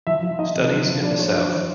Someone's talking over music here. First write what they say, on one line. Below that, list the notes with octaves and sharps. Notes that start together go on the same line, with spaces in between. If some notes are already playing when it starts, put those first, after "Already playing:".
Studies in the South.
F3 E5
F3
D#4 D#5
C3
F3
F3
D4 D5
F#3 C#5
F#3 C5
E3 C#5